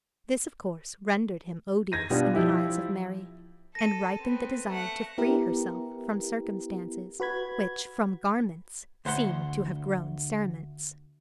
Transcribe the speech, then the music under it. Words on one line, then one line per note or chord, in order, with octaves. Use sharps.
This, of course, rendered him odious in the eyes of Mary, and ripened the desire to free herself from circumstances which from garments seemed to have grown cerements.
G#6 A#6 D#7
B2 G3 B3 D4 F4
F3 E4 G4
A4 A#6 D#7
B3 C4
A3 F#5
B3 E4 G4 A#4
F#4 B4 B5 G#6
D2 C5 F#5 A#5 C6